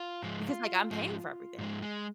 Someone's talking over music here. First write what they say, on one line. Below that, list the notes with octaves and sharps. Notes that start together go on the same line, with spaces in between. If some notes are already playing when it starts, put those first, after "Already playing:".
because, like, I'm paying for everything."
Already playing: F4
G#2 F3 G#3
G#2 F3 G#3
G#2 F3 G#3
G#3